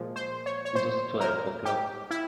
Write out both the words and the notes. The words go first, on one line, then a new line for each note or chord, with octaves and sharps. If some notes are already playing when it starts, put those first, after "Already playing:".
It was twelve o'clock.
Already playing: A#2 F3 G#3
C5
C#5
C#5
C5
A#4
G4
E4